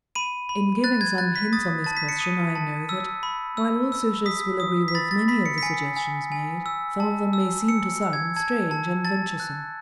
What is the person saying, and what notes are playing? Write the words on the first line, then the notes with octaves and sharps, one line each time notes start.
In giving some hints on this question, I know that, while all Socialists will agree with many of the suggestions made, some of them may seem to some strange and venturesome.
B5 D#7
B5
F#6 A6
G#6
F#6 A6
B6
D#6 A6
A5 A6
B6
C#7
D#6 D#7
A5
E6
B5
E6
E6
D#6 B6
D#6
B6
B5 A6
A6
B5 B6
C#7
B6
G#5 C#7
G#5
G#5
E6
A5
E6
E6 C#7
E6
G#6
A5 G#6
A5
A5 A6
F#6